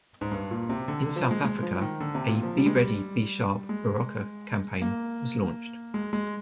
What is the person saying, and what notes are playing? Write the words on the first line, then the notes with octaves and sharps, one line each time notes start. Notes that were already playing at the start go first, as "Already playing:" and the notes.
In South Africa a "Beready Besharp Berocca" campaign was launched.
G#2
G2
A#2
C3
D3
D3
F3
G#3
G#3
F3
D#3
D3
C3
A#2
F3
G3
G#3
G3
G#3
A#3
G#3
G#3